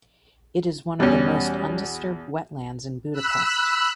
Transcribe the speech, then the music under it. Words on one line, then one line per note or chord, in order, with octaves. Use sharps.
It is one of the most undisturbed wetlands in Budapest.
E2 B2 G3 C#4
B5 E6 F#6